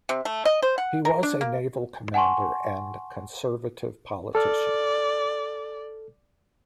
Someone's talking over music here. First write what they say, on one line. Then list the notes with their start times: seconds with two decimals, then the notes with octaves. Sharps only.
He was a naval commander and Conservative politician.
0.09 C3
0.25 A3
0.45 D#5
0.62 C5
0.78 F#5
1.05 A#4
1.23 D4
1.41 A#3
2.14 F#5 G#5 A5 C6 C#6
4.35 A4 D5 F6